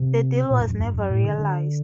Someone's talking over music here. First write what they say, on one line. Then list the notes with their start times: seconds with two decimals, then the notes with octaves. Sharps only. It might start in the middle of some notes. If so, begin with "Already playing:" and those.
The deal was never realised.
Already playing: C3
0.51 A#2
0.60 G2
0.70 F#2
0.80 G2
0.94 F#2
1.10 A2
1.24 D3
1.38 D3